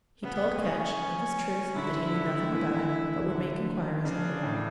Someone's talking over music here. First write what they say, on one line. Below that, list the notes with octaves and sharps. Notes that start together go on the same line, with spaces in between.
He told Ketch--and with truth--that he knew nothing about it, but would make inquiries in the morning.
C#3 B3
C#4
D3 E4
D3
E3
D3
C#3 D4
A2